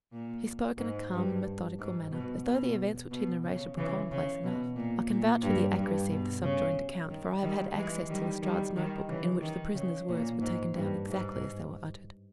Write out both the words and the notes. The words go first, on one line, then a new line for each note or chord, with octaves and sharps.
He spoke in a calm and methodical manner, as though the events which he narrated were commonplace enough. I can vouch for the accuracy of the subjoined account, for I have had access to Lestrade's note-book, in which the prisoner's words were taken down exactly as they were uttered.
A#2
G#2
G2
G#2
B2
B2
B2
C#3
C#3 E3
C#3
B2
A#2
A#2
G2
G2
B2
C#3
D#3
D#3 G3
E3 G#3
D#3 G3
D#3 G3
D#3 G3
C#3 E3
D#3
C#3
A#2
G#2
G2
G#2